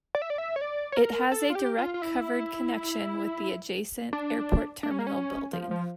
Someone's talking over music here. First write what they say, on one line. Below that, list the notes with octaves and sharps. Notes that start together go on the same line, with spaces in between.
It has a direct covered connection with the adjacent airport terminal building.
D5
E5
D5
E5
C#5
D5
C#5
A#4
A4
F4
G4
F4
F4
E4
D4
D4
C#4
A#3
C#4
F3
F3